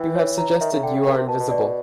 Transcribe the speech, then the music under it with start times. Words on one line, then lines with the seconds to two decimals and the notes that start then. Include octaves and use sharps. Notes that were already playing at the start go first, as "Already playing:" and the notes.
You have suggested you are invisible.
Already playing: E3 G5
0.15 C#5
0.38 A#5
0.60 D#3 E5
0.72 C#3
0.83 D3 G5
0.95 C#3
1.06 C#3 A#4
1.17 C3
1.28 B2 A5
1.40 B2
1.51 D5